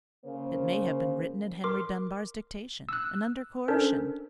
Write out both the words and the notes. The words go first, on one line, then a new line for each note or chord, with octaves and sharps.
It may have been written at Henry Dunbar's dictation, and under coercion.
C#3 A#3 C5
A#4 C6 D6
E6 F#6
C#4 D4 A4 A#4 C5